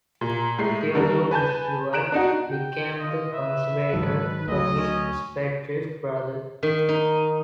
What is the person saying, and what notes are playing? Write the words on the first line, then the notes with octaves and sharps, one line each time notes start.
Theodore Roosevelt became the conservator for his spendthrift brother.
A#2
A2 G#3 C7
D3 G3 A#4
B4 G#5 A5 G6
A#5 F#6 D7 E7
D4 D#4 F#4
G5
F4 D#5
B4 E5
G#2 D#3 F#3 A4
D2 F#3 C4 D#5
C#4
D#3
D#4